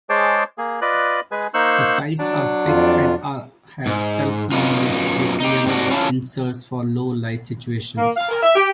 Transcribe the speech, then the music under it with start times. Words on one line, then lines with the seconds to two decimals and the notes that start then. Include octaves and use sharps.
The sights are fixed and are have self-luminous tritium inserts for low-light situations.
0.10 G#3 G#4 C5 C#5 A5 D6
0.58 A#3 G#4
0.81 F4 B4 D5 D#5 F#6
1.31 G#3 G#4 B4 G#5
1.54 A#3 D#4 C5 C#6 E6 F#6
2.19 F#3 D4
2.66 F2 F4
3.86 G#2
4.52 F#2 D#3 B3 D#4 F4
5.40 D#4 G4
5.66 G#2 C3 D4 F#4
5.90 C#4 E4 F4 A5
7.98 A#3
8.16 F5
8.29 A#4
8.42 E5
8.55 G4